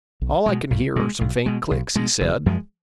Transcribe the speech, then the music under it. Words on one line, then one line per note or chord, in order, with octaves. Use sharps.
"All I can hear are some faint clicks," he said.
B1
B2 G#3
B1
B2 G#3
B1
B2 G#3
B1
B2 G#3
F#1
F#2 F3 G#3